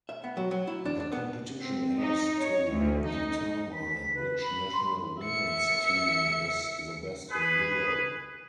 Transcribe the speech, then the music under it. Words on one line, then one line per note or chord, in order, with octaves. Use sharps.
The competition aims to determine which national women's team is the best in Europe.
E5
B3
F#3
F#3
E4
D4
D4
B3
C4
D#4
C#5
D2
D#4
B6
B4
B5
C6
E5 C#7
G#4 B4